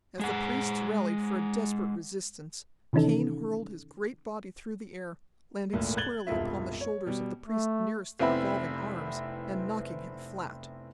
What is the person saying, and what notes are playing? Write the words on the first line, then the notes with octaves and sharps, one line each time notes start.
As the priests rallied for a desperate resistance, Cain hurled his great body through the air, landing squarely upon the shoulders of the priest nearest the revolving arms, and knocking him flat.
G#3 G#4 F#5
C3 D#3 E3 C#4 D#4 A4
G#1 D2 A#2
F#6 G#6 A6 F#7 G7
E1 C2 G2 F4 E5
C#5
B2 G3
A3
F1 B3 C4 E4 E5 B5